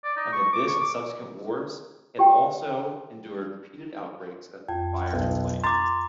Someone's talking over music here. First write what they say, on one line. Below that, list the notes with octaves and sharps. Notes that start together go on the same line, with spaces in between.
Amid this and subsequent wars, it also endured repeated outbreaks of fire and plague.
D5
D#4
C#6
D6
C#6
D6
G4 G5
F2 G5
B1
A#5 C6 D6 A6